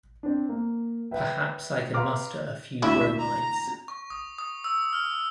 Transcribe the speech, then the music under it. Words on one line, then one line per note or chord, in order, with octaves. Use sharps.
Perhaps I can muster a few bromides.
C4 D4
A#3
B4 E5 G5
B4 F5 A#5 C6 D6 F6
G#1 D2 E4 E5
A#5
C#6
D#6
D#6
E6
F6